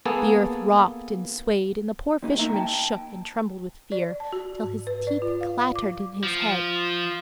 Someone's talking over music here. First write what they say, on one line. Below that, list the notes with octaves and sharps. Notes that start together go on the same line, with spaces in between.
The earth rocked and swayed, and the poor fisherman shook and trembled with fear till his teeth clattered in his head.
A#3 B3 G#4 A4
D3 A#3 D#4
C#2 D#3 A#3 D#4 E5 A#5
G5 A5
D5
A5
F#4
G#2
B4
D5
F4
F5
D6
F3